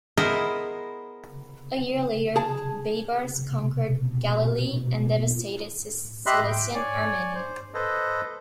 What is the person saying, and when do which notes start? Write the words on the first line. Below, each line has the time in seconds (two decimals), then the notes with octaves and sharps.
A year later, Baibars conquered Galilee and devastated Cilician Armenia.
0.18 B3 E4 G#4 A#4 C5 D#5
2.36 G#4 A5
6.26 G4 D#5 E5 B5 C6 F#6
6.47 G5
6.74 C#5 D5 G#5
7.35 C5
7.74 A4 B4 C5 D#5